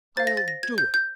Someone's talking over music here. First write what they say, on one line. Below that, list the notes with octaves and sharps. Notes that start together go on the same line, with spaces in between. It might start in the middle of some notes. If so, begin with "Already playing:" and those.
I'll do it....
C5 F5 A6
A#6
A6
A#6
G#6
G6
G6